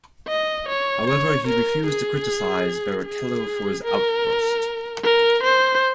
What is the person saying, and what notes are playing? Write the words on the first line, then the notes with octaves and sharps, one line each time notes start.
However he refused to criticize Barrichello for his outburst.
D#5
C#5
C#5
A#4
G#4
G#4
A#4
A#4
C5